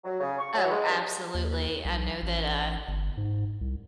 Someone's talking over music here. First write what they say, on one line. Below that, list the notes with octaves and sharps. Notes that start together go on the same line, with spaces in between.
Oh, absolutely. I know that, uh,
F#3
C#3
C#6
F#3
G#3
G2
D#2
B1
A1
G1
G#2
C2